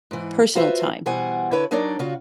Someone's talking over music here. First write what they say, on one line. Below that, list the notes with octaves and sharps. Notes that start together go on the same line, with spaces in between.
personal time.
G#2 E3
F4 F#4 B4 C5 E5
B2 E3 G3 C5 F#5 G#5
D3 E4 B4 C#5
F#3 D4 D#4 A#4 C#5 D5
C#3 F4 F#4